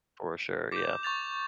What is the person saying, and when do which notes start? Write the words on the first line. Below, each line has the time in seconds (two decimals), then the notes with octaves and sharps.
For sure, yeah.
0.72 D6 G6
1.03 C#6 G6 A6 F7